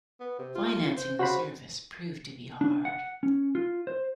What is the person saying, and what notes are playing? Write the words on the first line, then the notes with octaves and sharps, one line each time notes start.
Financing the service proved to be hard.
B3
C3
F4
C5
C#3 F#4 C5 B5
D4
F#5
C#4
F4
C5